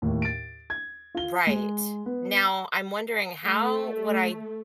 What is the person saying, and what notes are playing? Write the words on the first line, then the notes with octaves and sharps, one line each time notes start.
Right. Now, I'm wondering how would I
D#2 A2
A6 D7
G#6
F4 G7
G#3
B3
A3